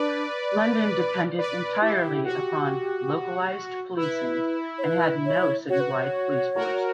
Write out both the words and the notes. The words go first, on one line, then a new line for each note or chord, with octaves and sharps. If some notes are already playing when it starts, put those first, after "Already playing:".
London depended entirely upon localised policing and had no citywide police force.
Already playing: D4 B4 D5
B4 D5
E4 G4
F#4 G4
E4 B4
C#5
B4
C#5
F#4 C#5
B4
C#5
F#4 A#4